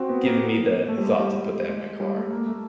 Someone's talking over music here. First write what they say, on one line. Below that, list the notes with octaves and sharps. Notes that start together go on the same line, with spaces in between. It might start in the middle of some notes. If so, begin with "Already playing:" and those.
given me the thought to put that in my car.
Already playing: C4 F#4
B3
A#3
B3
A#3
A3
G3
G#3
G3
G#3
G3
A3
A#3
A3